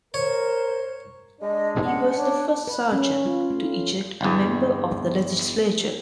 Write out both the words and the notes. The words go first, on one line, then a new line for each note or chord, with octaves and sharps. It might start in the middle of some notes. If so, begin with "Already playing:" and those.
He was the first sergeant to eject a member of the Legislature.
A#4 C5 C#5
G#3 D4 D#5
C#4 F#5
D4 C#5
B4
C#4
F4
A3
G1 E2